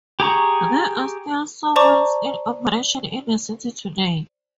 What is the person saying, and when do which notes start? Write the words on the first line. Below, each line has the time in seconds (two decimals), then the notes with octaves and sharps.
There are still sawmills in operation in the city today.
0.20 G4 G#4 A#5 C#6
1.76 C5 D5 A5 A#5 C#6 D6